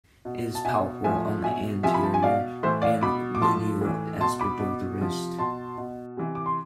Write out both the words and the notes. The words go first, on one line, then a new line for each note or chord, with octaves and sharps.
It is palpable on the anterior and medial aspect of the wrist.
B2
A5
B2 E5 G#5
A2 F3 E5 G#5
B2 E5 G#5
C3 F3 E5 G#5
B5
A5
G#5
B2 D5 F5
A2 E3 C5 E5
D5 F5
B2 B5 D6
D6
A2 F3 A5 C6
A2 E3
B2 A5 C6
B5 D6
B2
C3 F3
B2 A5 C6
B2
C3 E3
D6
C6